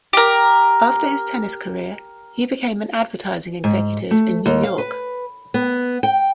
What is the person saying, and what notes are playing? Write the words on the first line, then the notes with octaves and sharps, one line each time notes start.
After his tennis career he became an advertising executive in New York.
G4 A#4
G#2
A3
D#2
F5
B4
B3
G5